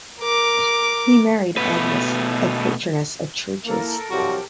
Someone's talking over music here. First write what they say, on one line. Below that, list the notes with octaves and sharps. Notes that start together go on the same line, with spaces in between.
He married Agnes, a patroness of churches.
A#4 D6
B2 A3 B4
A#3 E4 A4 A#4
C2 F3 F#3 F#4 G4